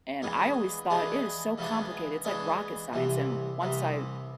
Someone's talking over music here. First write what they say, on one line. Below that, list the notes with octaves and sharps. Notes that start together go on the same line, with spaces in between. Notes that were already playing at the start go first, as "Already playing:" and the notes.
and I always thought, "It is so complicated, it's like rocket science," and once I
C#3 E3 G#3 B3 D4
C#3 E3 G#3 B3 D4
C#3 E3 G#3 B3 D4
C#3 E3 G#3 B3 D4
C2 C3 E3
C2 C3 E3